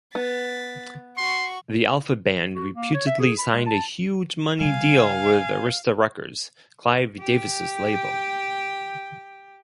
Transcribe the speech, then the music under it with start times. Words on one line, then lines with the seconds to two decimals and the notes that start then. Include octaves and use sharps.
The Alpha Band reputedly signed a huge-money deal with Arista Records, Clive Davis's label.
0.15 B3 A6 B6
1.17 F#4 C6 C#6
2.55 F#4
2.75 A#3
2.94 C#5
3.06 E5
3.20 G#4
3.39 B5
3.53 G#3
3.67 A5
4.61 C#3 G3 F5 G#5
7.21 G4 G5